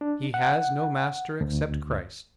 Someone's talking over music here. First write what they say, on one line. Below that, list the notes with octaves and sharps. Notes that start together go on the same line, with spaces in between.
He has no master except Christ.
D4
F#5
D2